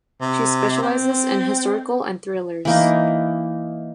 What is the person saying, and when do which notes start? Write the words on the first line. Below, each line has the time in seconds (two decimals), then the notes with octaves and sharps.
She specializes in historical and thrillers.
0.21 C3
0.83 C4
2.65 E3 A#3 D#4